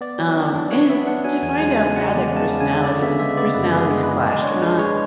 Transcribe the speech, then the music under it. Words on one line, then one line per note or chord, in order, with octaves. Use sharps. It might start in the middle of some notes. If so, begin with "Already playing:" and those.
Um, and to find out how their personalities if personalities clashed or not,
B3 D5
F#3
D4
D4
B3 C#5
B3 E5
D4 F#5
F#3 G#5
E2 G#5
G#3 G#5
C#3 G#5
G#3 F#5
E2 D5
C#3
A5
C#3
G#5
C#3
D3 D5
B3 E5
G#3 E5
B3 D5
F#2 B4
B3 G#4
G#3
B4
G#3
G#3 D5
D4 C#5
G#3 B4
G#3 C#5